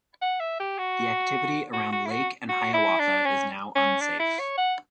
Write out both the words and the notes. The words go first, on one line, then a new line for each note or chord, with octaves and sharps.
The activity around Lake and Hiawatha is now unsafe.
F#5
E5
G4
F#4
F#4
F#4
E4
F#4
F#4
E4
D4
C#4
C#4
D4
E4
C#5
F#5